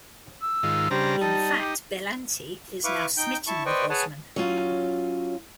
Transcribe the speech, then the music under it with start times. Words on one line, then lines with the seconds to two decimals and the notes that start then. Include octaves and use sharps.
In fact Bellante is now smitten with Osman.
0.42 E6
0.63 G#2 D#3 F4
0.91 C#3 G3 D4 C5 A#5
1.21 D#4 A5
1.59 G4
2.84 E4 B4 F5 C#6 D6
3.17 D#4 G5 G6
3.47 E4 A5 C#6
3.66 B4 C5 D5 D#5 G5 C#6
3.90 G#4 B4 C#5 F#5 G#5 A5
4.36 F#3 C#4 F4